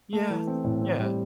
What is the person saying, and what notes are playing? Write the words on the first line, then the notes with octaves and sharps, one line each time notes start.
Yeah, yeah,
A3
E3
C4
A2
C4
G3